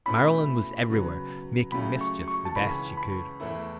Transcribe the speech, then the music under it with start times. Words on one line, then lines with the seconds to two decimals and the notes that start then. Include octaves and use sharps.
Marilyn was everywhere, making mischief the best she could.
0.06 B2 A3 C#4 E4 B5
0.89 C#3 F#3 B3
1.72 C#2 C#3 F#3 A3 C#4 B5
2.01 C#6
2.28 C#6
2.45 A5
2.56 C#2 C#3 E3 C#4 B5
2.97 B5
3.40 E2 E3 A3 E4